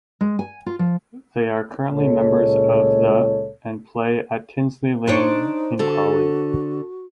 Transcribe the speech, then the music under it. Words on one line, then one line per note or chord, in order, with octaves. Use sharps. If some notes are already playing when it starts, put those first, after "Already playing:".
They are currently members of the and play at Tinsley Lane in Crawley.
G#3
G#5
F4
F3
C#2 A#2 G#3 A4 C#5
D4 D#4 C5 C#5
D3 F#4 A4